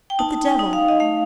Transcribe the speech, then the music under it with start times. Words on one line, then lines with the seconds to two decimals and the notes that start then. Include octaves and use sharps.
What the devil!
0.10 G5
0.19 D#4 A5
0.46 G5
0.59 D#4
0.73 F5
0.88 D#5
1.00 A3 F5